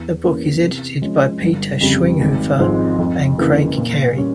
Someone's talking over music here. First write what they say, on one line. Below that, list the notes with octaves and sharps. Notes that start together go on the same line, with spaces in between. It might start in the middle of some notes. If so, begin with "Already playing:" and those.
The book is edited by Peter Schweighofer and Craig Carey.
Already playing: E2
E3 A#3 C#4
C3
F3 G#3 C#4
G1
F2 C#3 G3
G#1
G#2 F3 G#3 C4
F2
C#3 E3 A#3
A#2
G3 C#4